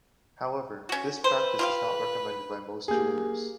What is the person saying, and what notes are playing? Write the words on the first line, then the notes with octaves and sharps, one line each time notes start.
However, this practice is not recommended by most jewelers.
C#4 F#4
B4 C5
F4 G4 F5
A#3 G4 G#4 G#5